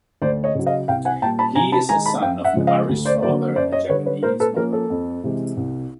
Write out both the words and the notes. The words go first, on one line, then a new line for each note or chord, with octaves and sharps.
He is the son of an Irish father and a Japanese mother.
D2 C5 D5
C#5 D#5
C#3 F#3
D#5 F5
C2 F5 G5
F#5 G#5
A#2 G3 G5 A5
A5 B5
C3 G#5 A#5
A5 B5
D#3 G#3 G#5 A#5
A5 B5
F#2 F5 G5
E5 F#5
C#3 F3 G#3
D#5 F5
D2
C5 D5
D3 F#3 A#3 C5 D5
F#2 C5 D5
C#5 D#5
D3 G3 B4 C#5
B4 C#5
A#2 A#4 C5
A4 B4
F3 A#3 C#4 A#4
A4
F2
C3 E3 G#3
C2